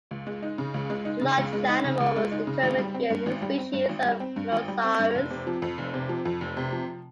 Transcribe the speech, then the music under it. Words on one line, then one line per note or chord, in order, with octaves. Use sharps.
The large animal was determined to be a new species of "Pliosaurus".
C#2
G#3
D#4
C#3
C#2
G#3
D#4
C#3
C#2
G#3
D#4
C#3
C#2
G#3
D#4
C#3
G#1
G3
C4
G2
G#1
G3
C4
G2
G#1
G3
C4
G2
G#1
G3
C4
G2
F1
C3
F3
F2
F1
C3
F3
F2
F1
C3
F3